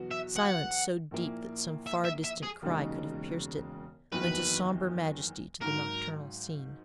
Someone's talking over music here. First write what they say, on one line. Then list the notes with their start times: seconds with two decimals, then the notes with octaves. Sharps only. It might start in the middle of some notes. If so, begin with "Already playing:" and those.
Silence so deep that some far-distant cry could have pierced it, lent a sombre majesty to the nocturnal scene.
Already playing: E2 B2 F#3 B3 F#4
0.11 E5
0.36 F#5
1.11 A#1 A#2 A#3 E4
1.87 E5
2.05 E5
2.24 E5
2.43 G#4
2.62 E1 D#2 C#3 G#3 D#4
4.12 F#1 E2 D#3 F#3 B4
5.61 G#1 G#2 F#3 A#4